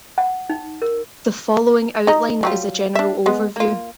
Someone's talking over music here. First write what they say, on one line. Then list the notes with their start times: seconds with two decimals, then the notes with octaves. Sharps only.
The following outline is a general overview.
0.18 F#5
0.50 D#4
0.82 A#4
2.07 D#4 D#5 A#5
2.43 F#3 G3 F4
2.95 D4 E5
3.26 G#3 B3
3.56 A#3 F4